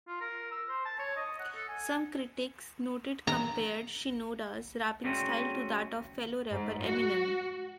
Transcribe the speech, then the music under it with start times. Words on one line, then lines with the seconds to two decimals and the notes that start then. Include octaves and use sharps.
Some critics noted compared Shinoda's rapping style to that of fellow rapper Eminem.
0.08 F4
0.21 A#4
0.51 E6
0.69 C5
0.86 A5
0.99 C#5
1.16 D#5
1.39 F#5
1.55 A4
1.69 G#5
3.27 A#5
5.04 C#3 F#3 G3 A3 C4 C#4
6.51 G#2
6.85 F#4